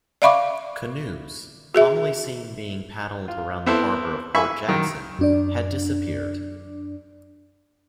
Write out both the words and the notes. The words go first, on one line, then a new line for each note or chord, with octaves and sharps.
Canoes, commonly seen being paddled around the harbor of Port Jackson, had disappeared.
D5 E5 F5 B5 C#6 D6
F#4 G#4 E5
F4
B3 C4 E4 A4 C5
E5 G#5 B5 C#6
F#2 D#3
F#2 D4 D5